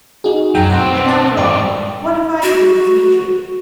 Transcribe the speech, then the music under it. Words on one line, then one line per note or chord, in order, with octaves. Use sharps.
And after all, what have I to do with Dmitri?
D#4 F#4 G#4
F#2 F#3 G5
B1 C4 F#5
A5
G#2 G3 D5
F#4